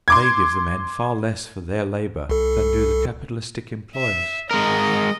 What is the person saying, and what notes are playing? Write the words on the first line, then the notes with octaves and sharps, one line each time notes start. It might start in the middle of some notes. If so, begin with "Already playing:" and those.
They give the men far less for their labour than do the capitalistic employers.
C6 D6 G#6
C2 A4
E5
G#3 A#4 D#5